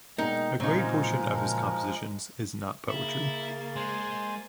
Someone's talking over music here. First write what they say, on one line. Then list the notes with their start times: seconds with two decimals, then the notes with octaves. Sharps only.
A great portion of his compositions is not poetry.
0.18 B2 G#3 A#3 D#4 D#5 G5 A#5
0.60 A#2 C#3 F3 F#3 G#3 C4 D#4 A#4
2.89 C#3 A#3 E4 A6
3.76 G#3 C5 G#5 C6